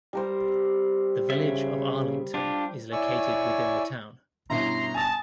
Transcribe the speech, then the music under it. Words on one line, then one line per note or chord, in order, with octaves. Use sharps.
The Village of Arlington is located within the town.
G3 A#4 C5
C#3 E5
D4 F4 G4
E4 C#5 D5 G#5 C#6 E6
G2 B2 C#4 E4 A#5 C6
G#5 A5 D#6